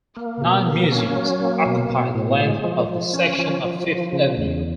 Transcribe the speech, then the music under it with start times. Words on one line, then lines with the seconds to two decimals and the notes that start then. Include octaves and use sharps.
Nine museums occupy the length of this section of Fifth Avenue.
0.17 A#3
0.42 B2
0.67 A#3
0.91 C#4
1.16 F#3
1.41 A#3
1.66 B2
1.90 B2
2.14 A2
2.40 G#3
2.64 F3
2.89 F3
3.13 C#4
3.38 F3
3.64 F3
3.88 F3
4.12 C#3
4.37 E2